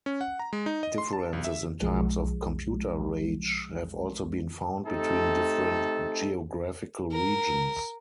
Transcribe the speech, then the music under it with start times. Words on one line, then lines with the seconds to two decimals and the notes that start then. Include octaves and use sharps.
Differences in types of computer rage have also been found between different geographical regions.
0.06 C#4
0.21 F#5
0.39 A#5
0.53 G#3
0.66 D#4
0.83 D#5
0.98 C6
1.13 A5
1.33 B1
1.44 E5
1.82 B1 F3 G#3
4.87 A3 C4 D#4 G4 A4
7.12 A#4